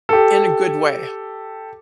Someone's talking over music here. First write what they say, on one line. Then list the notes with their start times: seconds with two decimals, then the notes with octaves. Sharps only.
in a good way,
0.09 G4 A4